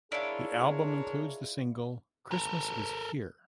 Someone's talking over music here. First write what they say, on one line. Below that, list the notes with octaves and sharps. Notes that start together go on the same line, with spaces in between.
The album includes the single "Christmas Is Here".
D4 E4 F4 G#4 A#4 C#5 D5
A4 A#4